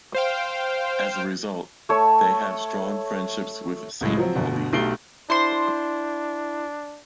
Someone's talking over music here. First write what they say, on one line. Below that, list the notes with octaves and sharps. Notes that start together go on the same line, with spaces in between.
As a result, they have strong friendships with Saint Pauli.
C5 F5 G5
A3 C#5
C#2 A2 G#3
F3 F#3 C4
G1 B2
B1 A3 G4 C7 D7 G7
D4 E4 C5 C6